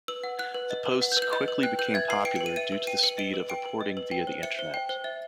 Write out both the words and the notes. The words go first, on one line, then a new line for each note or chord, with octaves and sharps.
The posts quickly became popular due to the speed of reporting via the Internet.
B4 E6
F#5
F#5 F#6
B4
D#5
B4
F#5
G6
B4
G6
D#5 G6
B4
G5 F#6
B4 G6
E5 G#6
B4 C7
G5 D7
C#7
B4
D#7
E5 D#7
B4
G5 D#7
B4 C#7
D#5 D7
B4
G5 D7
B4
D#5
B4
G5
C5
E5 C#7
C5
G5
C5
E5